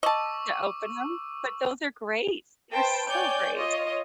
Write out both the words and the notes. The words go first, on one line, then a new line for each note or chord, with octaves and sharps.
to open them? But those are great, they're so great.
D#5 A5 C#6 D6 E6
B4 C5 G5 A5
C#5 D5 G5 G#5 G6
F4 C#5 D#5